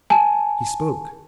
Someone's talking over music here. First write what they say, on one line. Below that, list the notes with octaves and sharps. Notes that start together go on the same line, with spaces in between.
He spoke.
G#5 A5